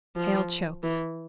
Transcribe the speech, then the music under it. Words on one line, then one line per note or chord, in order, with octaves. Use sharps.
Hale choked.
F3
E3